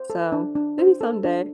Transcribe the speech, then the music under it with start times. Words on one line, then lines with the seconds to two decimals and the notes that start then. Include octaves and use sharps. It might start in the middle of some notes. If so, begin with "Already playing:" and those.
So, maybe someday.
Already playing: C5
0.10 A4
0.32 D4
0.55 D4
0.79 C5
1.01 A4
1.25 D4